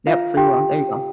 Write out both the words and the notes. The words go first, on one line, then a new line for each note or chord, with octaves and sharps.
Yep, free will, there you go.
F4 F5
G4 G5